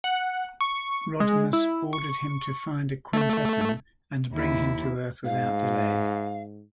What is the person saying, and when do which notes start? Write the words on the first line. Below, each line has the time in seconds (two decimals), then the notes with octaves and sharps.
Rodimus ordered him to find a Quintesson and bring him to Earth without delay.
0.04 F#5
0.61 C#6
1.20 G#3
1.53 E4
1.93 C#6
3.13 A3
4.32 D#2 E4
5.24 G#2 F5